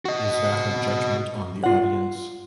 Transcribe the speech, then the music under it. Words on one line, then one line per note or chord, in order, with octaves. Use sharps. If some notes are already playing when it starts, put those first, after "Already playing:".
Is that a judgment on the audience?
F#4 D#5
F4 F#5